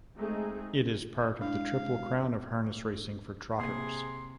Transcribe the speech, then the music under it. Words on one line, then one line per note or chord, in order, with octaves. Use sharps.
It is part of the Triple Crown of Harness Racing for Trotters.
G#3 A3 C4 D#4 G#4
G#3 D4 E4 F5
C3 A#3 G#4 C6